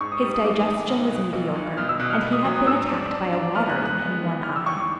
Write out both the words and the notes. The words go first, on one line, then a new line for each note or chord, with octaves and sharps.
His digestion was mediocre, and he had been attacked by a watering in one eye.
G#2 C#6
D#6
G3 D#6
D#6
G#2 D6
D#3 D#6
B1
B2
B1
B1
B2 F6
E6
B2 F#6
F6
B3
D#6
F#3 D#6
D#6
G#2 E6
D4
D4
D4
B3 F6
F#6
G#3
F#6
B3
D#3
E3 F6
E6
D#2 C#6
D6